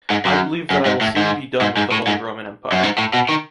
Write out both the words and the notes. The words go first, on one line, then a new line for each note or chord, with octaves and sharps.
I believe I will soon be done with the Holy Roman Empire.
G#2
F#2
F#2
G#2
A2
G#2
G#2
G#2
A2
G#2
F#2
G#2
A2
B2
D#3